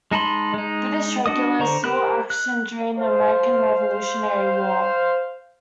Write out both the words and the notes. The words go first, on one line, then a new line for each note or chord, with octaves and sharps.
British regulars saw action during the American Revolutionary War.
G#3 D#4 A5 B5 C6
G#3 D#4
D4 F#4 D#5 D#6
D3 C5 A#5 C#6
G4 A#4 C5 B5 F#6
F#6
C5 F5